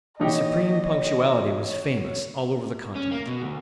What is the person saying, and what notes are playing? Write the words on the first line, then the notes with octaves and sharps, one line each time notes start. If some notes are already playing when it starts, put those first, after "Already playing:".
His supreme punctuality was famous all over the continent.
A#2 E3 D4 D#4 F#4 G4 C#5 D#5
C#4
A#3
B2
D2